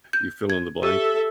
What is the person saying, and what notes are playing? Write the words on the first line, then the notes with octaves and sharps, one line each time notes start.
you fill in the blank,
G6
G#6
G4 A4 E5